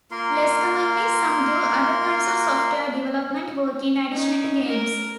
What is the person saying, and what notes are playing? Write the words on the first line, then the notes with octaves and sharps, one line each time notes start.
Less commonly, some do other kinds of software-development work in addition to games.
A#3 F4 A#4 C6
C#4 D#4
A#4